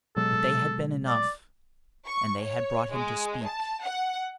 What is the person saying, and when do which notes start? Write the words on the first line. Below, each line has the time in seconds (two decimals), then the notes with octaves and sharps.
But they had been enough, and they had brought him to speak.
0.16 B2 F#3 G#3 A4
1.08 D5
2.07 C#6
2.42 C#5
2.92 G#3
3.45 A5
3.82 F#5